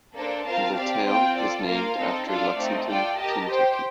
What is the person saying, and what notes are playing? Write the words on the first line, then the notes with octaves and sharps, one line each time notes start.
The town was named after Lexington, Kentucky.
A#3 D4 A4 C5
C4 F4 A#4 F5 A5
C4 G4 D5 F5
C4 F4 C5 G5
F4 A4 D5
A#3 F4 A#4 F5
C4 D#4 A4
D4 F4 A4 D5 F5
A3 C4 D#4
F4 A4 D5 G5
G4 A#4 D#5 A5
G4 C5 G5